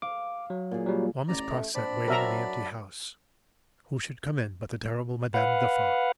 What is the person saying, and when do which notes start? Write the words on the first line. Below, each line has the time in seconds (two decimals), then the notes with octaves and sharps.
While Miss Pross sat waiting in the empty house, who should come in but the terrible Madame Defarge!
0.02 F5 D6
0.50 F#3
0.71 A#2 G#4
0.86 F#3 G3
1.28 A1 D5 A#5
1.50 A3
1.75 A#1 C4 D4 D5 B5
2.08 F#3 A#4 E5 A#5
5.34 B4 F5 F#5